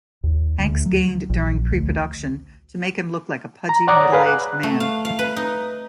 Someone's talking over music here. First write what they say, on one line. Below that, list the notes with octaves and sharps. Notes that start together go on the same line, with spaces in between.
Hanks gained during pre-production to make him look like a pudgy, middle-aged man.
D#2
D2
F#3
A#1
D2
A#5
C#5 D5 F#5 A#5 D6 D#6
G#4 B4 F5
F#6
A3
F5
F5
B4
D#4